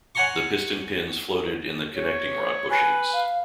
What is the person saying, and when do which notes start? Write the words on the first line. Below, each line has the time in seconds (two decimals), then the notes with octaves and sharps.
The piston pins floated in the connecting rod bushings.
0.15 C#5 F#5 G#5 A#5 C6 C#6
1.96 C#5
2.70 B4 G#5
3.13 F5